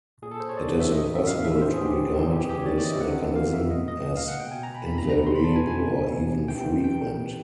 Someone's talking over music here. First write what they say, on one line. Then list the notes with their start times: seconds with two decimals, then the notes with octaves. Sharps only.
It is impossible to regard this mechanism as invariable or even frequent.
0.22 A#2 G#4
0.31 A4
0.40 C5
0.49 C#5
0.57 D5
0.80 E5
0.92 A2 E3 D#5
1.15 E5
1.27 F5
1.45 E5
1.62 A2 E3 C5
1.74 G#4
1.85 G4
2.31 C3 E3 G4
2.40 G#4
2.49 G4
2.57 C#5
2.66 D5
2.77 D5
2.85 D#5
2.89 E5
3.01 C3 E3 F#5
3.36 F5
3.53 E5
3.70 A#2 D#5
3.88 D#5
4.17 F5
4.28 F#5
4.40 B2 G5
4.52 G#5
4.63 A#5
4.75 B5
4.86 B5
4.98 A#5
5.09 B2 A#5
5.18 B5
5.27 C6
5.36 B5
5.44 A5
5.56 G#5
5.67 G#5
5.79 B2
6.48 C3 E3 G5
6.84 G5